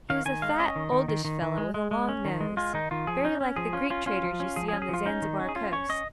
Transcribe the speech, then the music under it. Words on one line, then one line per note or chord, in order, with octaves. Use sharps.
He was a fat, oldish fellow with a long nose, very like the Greek traders you see on the Zanzibar coast.
D#3 F5
D#3 G#5
G#3 F5
C#4 D#5
D#3
D#3
D#3
D#3
D#3
G#3
G#3
G#3
C#4
D#3
G#3
G#3 F4
D#3 D#4
D#3 F4
F3 G#4
C#4 D#4
C#4
F3 G#4
C#4 F4
C#4 F4
C#4 F4
F3
C#4
F3 G#4
G#4
C#4
G#4
F3 F4
C#4 D#4
D#3
C#4
G#4
C#4 F4
C#4 C#5
C#4 D#5